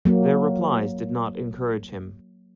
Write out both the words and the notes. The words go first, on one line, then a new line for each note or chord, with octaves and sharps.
Their replies did not encourage him.
F#3 A#3